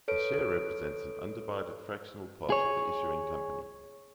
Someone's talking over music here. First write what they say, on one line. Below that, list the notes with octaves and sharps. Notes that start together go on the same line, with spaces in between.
A share represents an undivided fractional part of the issuing company.
A4 B4 C#5 D7
G#4 C#5